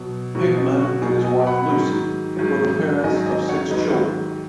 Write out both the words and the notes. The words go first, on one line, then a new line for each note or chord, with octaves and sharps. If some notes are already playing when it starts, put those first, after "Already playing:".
Hickman and his wife Lucy were the parents of six children.
Already playing: B2 F#3
B2 F#3 F#4
D#4
F#4
B2 F#3 D#4 G#4
D#5 G#5
F#5 B5
G#2 D#3 F#3
G#2 D#3 F#3
G#2 D#3 F#3 D#5 G#5
D#5 G#5
C#5 F#5
G#2 D#3 F#3 B4 D#5